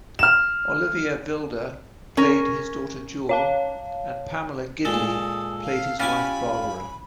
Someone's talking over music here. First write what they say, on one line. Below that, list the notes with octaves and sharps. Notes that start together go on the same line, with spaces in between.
Olivia Wilde played his daughter Jewel and Pamela Gidley played his wife Barbara.
F6 E7
C#4 A#4
C#5 F5 A5
A#2 G#3 A4 D#6
F5
C#4 E4 F4 G4 G#5 B5